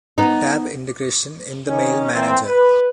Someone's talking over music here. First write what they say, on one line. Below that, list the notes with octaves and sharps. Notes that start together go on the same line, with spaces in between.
Tab Integration in the mail manager.
B3 D#4
D#3 C#4
E3 A#3 C4
B4